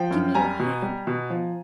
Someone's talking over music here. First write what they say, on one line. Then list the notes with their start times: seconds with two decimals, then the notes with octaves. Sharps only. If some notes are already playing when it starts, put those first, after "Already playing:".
Give me your hand.
Already playing: F3 G5
0.11 F#2
0.34 G3 G#5 A#5
0.59 B2
0.82 G3
1.07 B2
1.30 F3